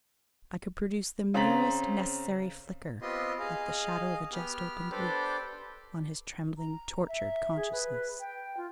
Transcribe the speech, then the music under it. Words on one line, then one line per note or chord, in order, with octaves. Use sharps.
I could produce the merest necessary flicker, like the shadow of a just-opened leaf, on his trembling, tortured consciousness.
C#3 C4 A#5 A6 B6 F#7
B3 C4 F4 G4 D#5 C6
G#4 D#5 F5
B3 G4 F6
D4 G4 A4 B4 C5 D5
A#5
E5
G#4
B4
G5
F4